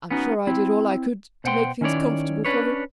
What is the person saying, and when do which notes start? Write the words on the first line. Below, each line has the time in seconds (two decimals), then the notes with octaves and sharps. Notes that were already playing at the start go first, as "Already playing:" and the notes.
I'm sure I did all I could to make things comfortable for him.
0.11 B3 C#4 D#4 F#4
0.47 C4 E4
1.44 B2 C5 F#5 G5 C6
1.81 D#3 C#4 E4 C#5 D5
2.45 C#4 D4 B4 C#5